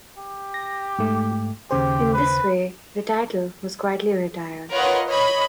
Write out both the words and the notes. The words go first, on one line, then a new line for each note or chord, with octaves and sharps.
In this way, the title was quietly retired.
G4
A#6
G#2 A3
D#2 C#3 G4 C5
B4
F4 A#4 B4 C#5 D#5 F#5
C#5 D#5 B5